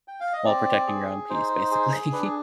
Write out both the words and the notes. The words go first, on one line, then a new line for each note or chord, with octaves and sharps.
while protecting your own peace, basically.
G5
F5
D#5
C4 D5
G#4
D#4 C5
G#4
D4 B4
G#4